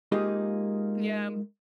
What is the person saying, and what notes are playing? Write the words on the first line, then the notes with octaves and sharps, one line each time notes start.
Yeah, um
G#3 A#3 D#4 F4 G4 G#4